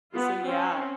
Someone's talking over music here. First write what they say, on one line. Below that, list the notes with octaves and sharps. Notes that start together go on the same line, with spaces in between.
So, yeah.
B3 F4
C4 C#4